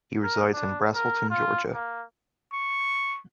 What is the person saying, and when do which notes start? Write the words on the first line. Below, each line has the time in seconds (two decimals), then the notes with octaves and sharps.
He resides in Braselton, Georgia.
0.23 A#4
0.53 D4
0.94 A#4
1.30 F4
1.74 A#3
2.53 C#6